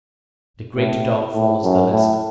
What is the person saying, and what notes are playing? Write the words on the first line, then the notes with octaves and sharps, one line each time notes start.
The Greater Dog follows the Lesser.
A2
A2
F#2
A2